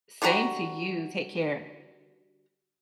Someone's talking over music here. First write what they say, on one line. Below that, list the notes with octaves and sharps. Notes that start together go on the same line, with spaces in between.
Same to you. Take care.
D3 G3 F#4 A#5